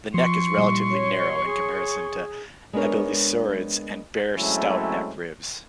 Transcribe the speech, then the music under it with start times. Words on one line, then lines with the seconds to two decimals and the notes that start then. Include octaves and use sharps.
The neck is relatively narrow in comparison to abelisaurids and bear stout neck ribs.
0.14 F3 C6 C#6
0.58 A#2 G3 E4
0.91 F#3 C#5
1.45 G#4 C#5
2.73 G#3 B3 D4 A#4 C#5
4.38 F#3 G#3 A3 C4 C#4 E4